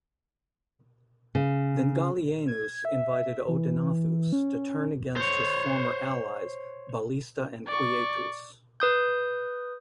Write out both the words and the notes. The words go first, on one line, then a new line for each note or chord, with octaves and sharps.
Then Gallienus invited Odenathus to turn against his former allies, Ballista and Quietus.
C#3
G#6
E5
E3
C#4
C5 C#5
D5 C#6
B4 D#6 G6